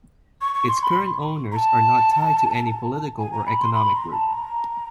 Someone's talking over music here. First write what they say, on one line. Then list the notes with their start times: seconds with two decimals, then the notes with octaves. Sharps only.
Its current owners are not tied to any political or economic group.
0.41 C#6
0.54 C#6
0.68 C6
0.82 B5
1.52 A#5
1.56 A5
3.18 G#5
3.32 A#5
3.46 B5
3.60 C6
3.74 B5
3.93 A#5
4.11 A5
4.30 A#5